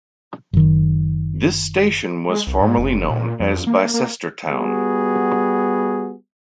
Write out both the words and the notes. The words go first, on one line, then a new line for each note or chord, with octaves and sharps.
This station was formerly known as Bicester Town.
F#1 D#3
G#3
C2
G#2
F1
F#1
A#2
F2
A#3
A#3
G3 B3 F#4 G#4